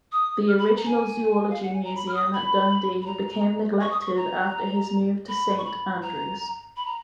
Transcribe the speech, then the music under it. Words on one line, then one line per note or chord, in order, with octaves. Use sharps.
The original Zoology Museum at Dundee became neglected after his move to Saint Andrews.
D#6
F6
B5
A#5
G#5
F5
F#5
G#5
A#5
B5
F6
D#6
B5
B5
A#5
C#6
D#6
C#6
A#5
B5
C#6
B5
A#5
B5
A#5